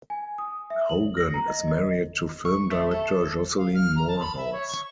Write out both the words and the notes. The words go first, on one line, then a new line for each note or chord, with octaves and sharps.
Hogan is married to film director Jocelyn Moorhouse.
G#5
D#6
E5
F#7
A#6
A#5
D#5
D#5
C#6
A3
A4
F5
F6
A#5
A5
B5
E5
C#5
C#6